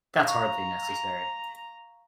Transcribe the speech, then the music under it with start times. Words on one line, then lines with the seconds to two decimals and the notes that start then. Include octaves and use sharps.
That's hardly necessary.
0.25 F5 A#5 C#6